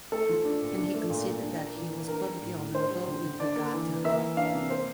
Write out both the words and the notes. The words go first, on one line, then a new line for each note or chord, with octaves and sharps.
And he considered that he was perfectly honourable with regard to her.
A3 A4
F3
D4
A#2
D4
A3
A#2
A#2
D4
A#3
E3
E3
D4 A#4
G3
A2
A2
D4 C5
G3
D3
D3
D4 D5
A#3
E3
E3
A#3 E5
E3
D4 F5
C3
A#3 C5